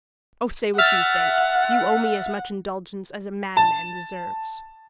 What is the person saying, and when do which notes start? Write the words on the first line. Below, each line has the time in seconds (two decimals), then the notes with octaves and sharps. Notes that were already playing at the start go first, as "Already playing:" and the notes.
"Oh, say what you think; you owe me as much indulgence as a madman deserves."
0.78 E5 F#5 F6 A6
3.57 A5